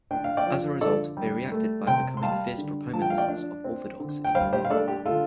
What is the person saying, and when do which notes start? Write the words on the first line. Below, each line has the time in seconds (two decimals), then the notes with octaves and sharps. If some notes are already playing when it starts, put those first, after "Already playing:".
As a result, they reacted by becoming fierce proponents of Orthodoxy.
0.11 D4 G5
0.24 F5
0.37 D5 G5
0.46 F3
0.81 D3 A4 D5
1.17 G3
1.52 A3
1.87 C3 G5 C6
2.17 C6
2.23 G3 F5 A5
2.58 D3
2.94 F3 A5
3.02 G5
3.10 F5
3.18 D5 G5
3.28 D4
3.64 C4
4.00 D3
4.25 G5
4.35 G3 C5 F5
4.53 G4 C5
4.65 F5
4.70 D4 A4 D5
4.88 G4
5.05 D3 F4 A4